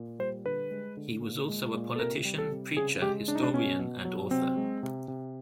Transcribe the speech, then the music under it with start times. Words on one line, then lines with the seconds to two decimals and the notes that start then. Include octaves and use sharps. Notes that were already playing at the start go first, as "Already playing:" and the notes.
He was also a politician, preacher, historian and author.
Already playing: A#2
0.19 G3 C5
0.45 D3 B4
0.71 G#3
0.97 D3
1.22 A#2
1.48 G#3
1.74 A#2
1.96 A4
1.99 C3 A#4
2.25 G3
2.38 A4
2.51 C3
2.77 C#3 G#4
3.02 G#3 G4
3.28 C#3 D4
3.35 D#4
3.43 D4
3.54 B2 C#4
3.79 B2
4.05 F#3
4.31 C3 C4
4.57 G#3
4.83 C3
5.08 C3